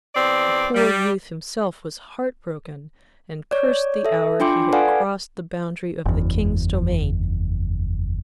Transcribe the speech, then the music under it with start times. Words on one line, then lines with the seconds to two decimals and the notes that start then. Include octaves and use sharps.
The poor youth himself was heart-broken, and cursed the hour he had crossed the boundary of the King's domain.
0.14 E2 C4 D5
0.75 G3
3.51 C#5 D5
4.05 A4 E5
4.40 D4 F4 G5 C6 D6
4.72 A4 B4 D5 F5 F#5 G#5
6.06 F#1 E2